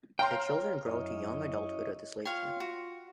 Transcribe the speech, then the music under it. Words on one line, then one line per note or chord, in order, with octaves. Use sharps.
The children grow to young adulthood at the slave camp.
C#5 F5 G5 A#5 C6
F#2 E4 C#5 D#5
F4 C#5 F5 G5 C6
F#4